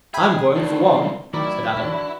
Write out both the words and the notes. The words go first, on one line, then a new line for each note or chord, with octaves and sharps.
"I'm going, for one," said Adam.
G#4 E5 G5 B5
F2 A2 D4 D#4 A#4 C5
A2 D#3 F#3 E4 A#4 D5
E3 D4 F#4